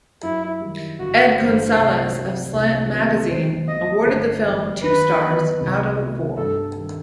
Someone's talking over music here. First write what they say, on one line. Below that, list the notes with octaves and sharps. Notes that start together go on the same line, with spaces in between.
Ed Gonzalez of "Slant Magazine" awarded the film two stars out of four.
F#2 E4
D#3 G3
G1 F#4
G2 E3 C5
C2
C3 F#3
C2
C3 D#3 F#3 B3
B1 C5
B2 A3 D#5
G1 C5
F#2 E3 B3 E4
D#2 B4
D#3 F#3 B3 D#4
C2
B2 A3 E4
G2 A4
D#3 G3